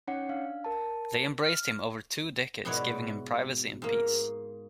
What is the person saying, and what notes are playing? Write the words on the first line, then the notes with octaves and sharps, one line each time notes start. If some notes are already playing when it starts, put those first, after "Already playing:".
They embraced him over two decades giving him privacy and peace.
C#4 D#4 C#5 F#5 C#7
D4 F5
A#4 A5
F6
G#2 B2 E4 F#4 C#5 D5
G#2 A#3